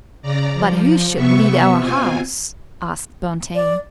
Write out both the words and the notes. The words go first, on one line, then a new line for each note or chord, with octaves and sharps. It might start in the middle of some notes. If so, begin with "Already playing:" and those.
"But who should lead our House?" asked Bonteen.
C#3 D5 A#5
F3
C3 B3 E5 C#6
B2 C4 F4 G#5
D5